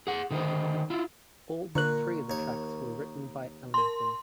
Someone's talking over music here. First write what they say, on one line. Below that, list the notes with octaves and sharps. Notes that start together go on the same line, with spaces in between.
All but three of the tracks were written by Ellington.
G#4 F#5
D3 D#3 D#4 A4 C5
E4 F4
A#2 D3 A#4 C#6 F#6
D#2 C#5
A#4 A5 C6